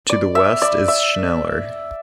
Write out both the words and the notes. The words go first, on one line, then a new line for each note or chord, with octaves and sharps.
To the west is Schneller.
D5
E5
D5
E5